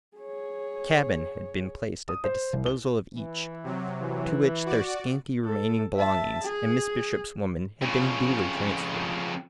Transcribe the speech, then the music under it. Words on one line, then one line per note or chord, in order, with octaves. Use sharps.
A cabin had been placed at the disposal of each, to which their scanty remaining belongings and Miss Bishop's woman had been duly transferred.
G#4 C#5
D#6
C5
C2
G7
E3
C3 F#3
E3
F#4 D5
A4
E5 A5
G#4
F2 C#3